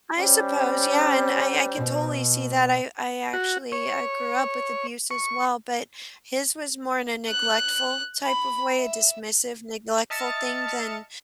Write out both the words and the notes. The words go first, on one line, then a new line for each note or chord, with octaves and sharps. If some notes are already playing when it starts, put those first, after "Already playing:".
I suppose yeah And I I can totally see that, I I actually I grew up with abuse as well, but his was more in a neglectful type of way, a dismissive, neglectful thing than
G3 C#4 C5
B2
F#4
C#5
C#6
F#6
B5
E5
D#5 E5 A5 F6 A6 C#7